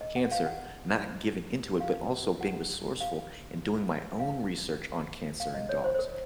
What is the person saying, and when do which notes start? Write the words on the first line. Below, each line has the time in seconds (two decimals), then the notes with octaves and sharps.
cancer, not giving into it, but also being resourceful and doing my own research on cancer in dogs,
0.01 D#5
0.16 F#5
0.31 F5
0.47 F#5
1.80 F5
2.41 F#5
3.01 F5
4.19 F5
5.40 F5
5.54 D#5
5.69 C#5
5.84 C5
5.95 C5
5.99 A#4